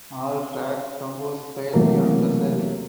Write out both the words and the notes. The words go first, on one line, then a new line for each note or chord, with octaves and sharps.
All tracks composed by Leon Russell.
C3 E3 F#3 G3 A3 A#3